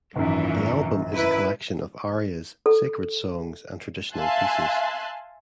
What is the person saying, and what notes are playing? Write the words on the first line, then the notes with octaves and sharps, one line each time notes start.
The album is a collection of arias, sacred songs and traditional pieces.
G#1 F#2 A#2 E3
E4 B4
A4
E5 F5 G#5 A5 C6 F#6